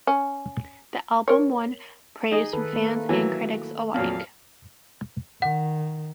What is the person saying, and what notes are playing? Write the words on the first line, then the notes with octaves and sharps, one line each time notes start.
The album won praise from fans and critics alike.
C#4
A#4 C#5
D#4 G#4 D#5
D#3 A4 B4
A3 A#3
E3 F#3
F2 A#2 F#3 F5
D#3 F#5